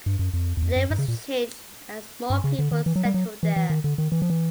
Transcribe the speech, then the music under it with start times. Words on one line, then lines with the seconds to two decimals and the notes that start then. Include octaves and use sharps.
The name was changed as more people settled there.
0.06 G2
0.19 F#2
0.33 F2
0.57 E2
0.62 F2
0.76 F#2
0.90 G2
0.99 C#3
1.08 A#2
2.30 G2
2.44 C#3
2.59 D3
2.72 D#3
2.86 E3
2.96 F#3
3.05 G3
3.14 F#3
3.43 E3
3.56 E3
3.70 D#3
3.84 D3
3.98 D#3
4.12 E3
4.22 F3
4.30 E3